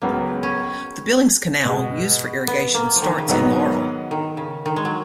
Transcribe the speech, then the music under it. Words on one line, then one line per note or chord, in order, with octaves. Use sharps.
The Billings Canal, used for irrigation, starts in Laurel.
C#2 C#3 F#3 A#3 B3
C#4
B2 G#3 B3
B3
A#3
F3
D#3
C#3
G#2 D#3 F#3 B3 D#4
D#3
C#3
D#3
G#3
F#3